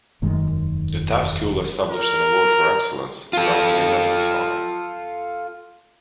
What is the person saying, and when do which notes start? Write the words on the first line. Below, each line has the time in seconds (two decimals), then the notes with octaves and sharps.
The Taft School established an award for excellence in writing in Webster's honor.
0.22 E1 F#2 D#3 G#3
1.90 A#4
3.33 F4 A4